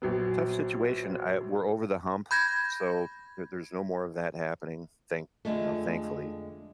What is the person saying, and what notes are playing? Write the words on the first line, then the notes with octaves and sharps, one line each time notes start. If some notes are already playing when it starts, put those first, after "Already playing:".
tough situation, I we're over the hump, so there there's no more of that happening, thank you know, thankfully.
A#1 F#3 B3
B5 G6 G#6 A#6
F2 D3 G#3 A3